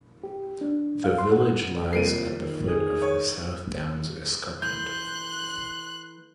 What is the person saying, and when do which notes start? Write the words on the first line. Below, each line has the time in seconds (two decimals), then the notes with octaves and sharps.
The village lies at the foot of the South Downs escarpment.
0.24 G4
0.61 D4
1.04 F5
1.18 C6
1.32 F#5
1.93 C3 F3 G3 A#3 C7 D7 D#7
2.36 D#3
2.68 G#4
3.02 C#5
4.62 E3 A3 C6 F#6 G6